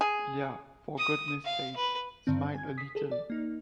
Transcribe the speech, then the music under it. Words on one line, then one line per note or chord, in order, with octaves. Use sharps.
Liah, for goodness sake smile a little.
G#4
D#6
F5
B4
G2 D3 D#3 C4
G#5 G#6
D#6 B6 C7
G#4 A4
D5
A#3 D#4